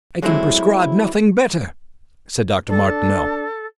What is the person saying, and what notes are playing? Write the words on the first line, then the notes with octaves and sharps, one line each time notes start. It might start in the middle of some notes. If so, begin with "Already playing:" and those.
"I can prescribe nothing better," said Dr. Martineau.
F#3 G#3 A3 C4 E4
D4 A4